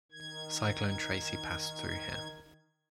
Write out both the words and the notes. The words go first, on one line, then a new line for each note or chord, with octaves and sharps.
Cyclone Tracy passed through here.
D#3 G#6